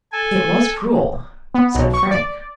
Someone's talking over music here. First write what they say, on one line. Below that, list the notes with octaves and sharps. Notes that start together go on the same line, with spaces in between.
"It was cruel," said Frank.
A4 G#5
B3
B1
C#6
D5